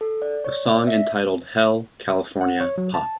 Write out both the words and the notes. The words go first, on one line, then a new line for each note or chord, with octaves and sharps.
A song entitled Hell, California, Pop.
A4
D5
C#5
D5
E5
F#5
C#5
F#3
A5